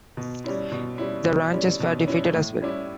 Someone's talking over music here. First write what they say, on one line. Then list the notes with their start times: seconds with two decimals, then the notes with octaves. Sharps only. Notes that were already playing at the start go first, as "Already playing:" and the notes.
The ranchers were defeated as well.
0.17 B2
0.44 G3 C#4 E4
0.72 B2
0.98 G3 C#4 E4
1.26 B2
1.53 G3 C#4 E4
1.80 B2
2.08 G3 C#4 E4
2.35 A2
2.62 G3 C#4 E4 G4